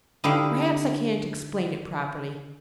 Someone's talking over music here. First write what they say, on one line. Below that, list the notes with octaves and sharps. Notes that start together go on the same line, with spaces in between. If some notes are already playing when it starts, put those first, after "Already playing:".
Perhaps I can't explain it properly.
D3 D#4 E4 G4 F5